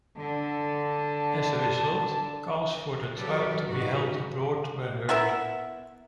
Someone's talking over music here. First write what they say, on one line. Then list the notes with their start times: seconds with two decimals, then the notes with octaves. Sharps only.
As a result, calls for the trial to be held abroad were heard.
0.17 D3 A5
3.17 F#3 G4 A4 B4 D5
3.67 G#2 D#3 D#4 F#4 B4
5.09 B3 E4 A#4 E5